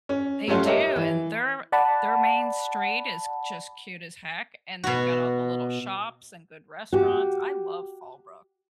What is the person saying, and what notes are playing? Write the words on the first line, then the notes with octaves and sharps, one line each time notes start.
They do, and their their main street is just cute as heck, and they've got all the little shops and good restaurants. I love Fallbrook.
C#4
F#3 G3 A3 C#4 F4 F#4
G4 A#4 C#5 D#5 E5
E3
D5 F#5 A5 B5
B2 F#4
F#4 G4